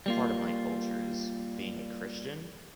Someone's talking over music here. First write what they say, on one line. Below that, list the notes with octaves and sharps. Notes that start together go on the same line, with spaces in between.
part of my culture is being a Christian.
G3 A#3 F4